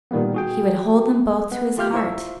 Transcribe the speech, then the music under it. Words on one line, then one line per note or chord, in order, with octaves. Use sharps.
He would hold them both to his heart.
A#2 D#3 G3 A#3 B3
F#4 G#4 G5
B3
A3 F4 G4 F5 F6 G6
E4 F4 C5 E5 C#6 E6